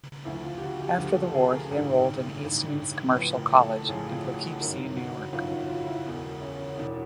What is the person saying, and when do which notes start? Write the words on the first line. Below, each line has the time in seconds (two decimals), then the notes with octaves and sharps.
After the war he enrolled in Eastman's Commercial College in Poughkeepsie, New York.
0.25 D2 D3 F3 E4
0.44 F4
0.58 G4
0.62 F#4
0.81 G4
0.98 D2 D3 F3 G4
1.16 A4
1.35 G#4
1.52 A#4
1.70 A1 G2 D#3
2.43 A1 G2 D#3
3.15 A1 A2 F3 B4
3.34 A#4
3.53 A4
3.70 A4
3.89 A1 A2 F3 G#4
4.07 F4
4.24 F#4
4.42 F#4
4.61 G1 F#2 D#3 A#4
4.97 F#4
5.33 G1 F#2 D#3 F4
5.52 F#4
5.70 F4
5.87 E4
6.06 E1 E2 B2
6.42 C#4
6.78 E1 E2 B2 D4